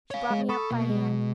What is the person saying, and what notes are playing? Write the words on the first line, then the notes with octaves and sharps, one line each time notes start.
She brought me up by hand.
C#5 F5
G#3
A4 B5 C#6 D#6
B2 A#3
G#3